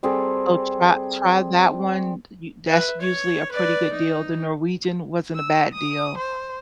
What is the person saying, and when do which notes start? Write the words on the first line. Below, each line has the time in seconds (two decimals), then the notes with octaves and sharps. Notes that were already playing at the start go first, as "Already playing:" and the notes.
oh, try try that one, u that's usually a pretty good deal, the Norwegian wasn't a bad deal.
0.03 G3 C4 G#4 A4
2.70 B4 E5
3.01 C#5
3.51 B4 D5
3.92 D#4
5.35 E6
5.74 D#6
6.18 C5